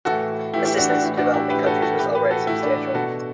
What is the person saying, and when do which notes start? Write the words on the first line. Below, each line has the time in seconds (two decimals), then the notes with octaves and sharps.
Assistance to developing countries was already substantial.
0.05 E3 F#4 A4
0.09 A2
0.54 A2 E4 G4
0.56 E3
0.65 E4 G4
0.78 D4 F#4
0.89 D4 F#4
1.02 A2 E3 E4
1.17 D4 F#4
1.34 E4 G4
1.50 A2 E3 G4 B4
1.66 F#4 A4
1.82 F#4 A4
1.98 A2 E3 G4 B4
2.15 G4 B4
2.30 F#4 A4
2.47 A2 E3 E4
2.63 D4
2.94 B2 F#4 A4